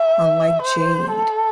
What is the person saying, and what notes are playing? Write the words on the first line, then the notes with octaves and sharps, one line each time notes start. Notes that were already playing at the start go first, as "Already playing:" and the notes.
"Unlike Jade."
Already playing: E5
C5
A4